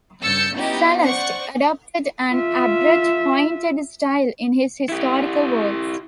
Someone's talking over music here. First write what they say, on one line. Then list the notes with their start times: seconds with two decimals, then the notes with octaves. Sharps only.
Sallust adopted an abrupt, pointed style in his historical works.
0.22 G2 C#3 E6 G6 A6 C#7
0.55 B3 C#4 D#4 E4 F#4 G4
1.02 C5 D5 F#5 C#6
2.31 F4 E5
4.89 E4 G4